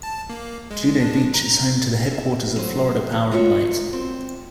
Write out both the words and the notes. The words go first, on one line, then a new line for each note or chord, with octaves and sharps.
Juno Beach is home to the headquarters of Florida Power and Light.
A5
A#3
G#3
D4
A#5
E5
F#3 C5
E3
F4 F#4 A#4 C#5 E5
C4